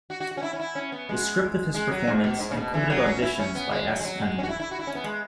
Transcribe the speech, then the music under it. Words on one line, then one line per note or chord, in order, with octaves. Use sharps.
The script of this performance included additions by S. Penley.
F#4
F#4
F#4
C#4
E4
C#4
E4
C#4
B3
G#3
G#3
F#3
G#2
B2
G#2
C#3
B2
E3
F#3
C#4
E4
C#4
B3
G#3
F#3
G#3
F#3
G#3
C#4
F#4
E4
E4
F#4
E4
C#4
B3
G#3